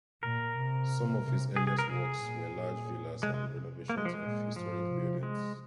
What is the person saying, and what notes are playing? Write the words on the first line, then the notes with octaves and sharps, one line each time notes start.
Some of his earliest works were large villas and renovations of historical buildings.
A#2 A#4
C3
C3
C3 G#4
G#4
A#4
C3 G#4
A#2
A#2
C3 G#3
G#3
A#3
G#3
F3
G#3
A#2
G#2 F3
C3
G#3